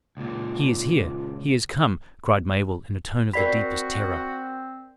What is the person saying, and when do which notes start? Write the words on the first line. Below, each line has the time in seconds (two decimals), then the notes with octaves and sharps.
"He is here!--he is come!" cried Mabel, in a tone of the deepest terror.
0.17 C#2 A#2
3.33 C4 F#4 A#4 D5 B5 B6 C7